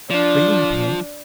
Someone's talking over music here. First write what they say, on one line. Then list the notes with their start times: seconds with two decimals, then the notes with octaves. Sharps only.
"Are you in pain?"
0.11 F3 D4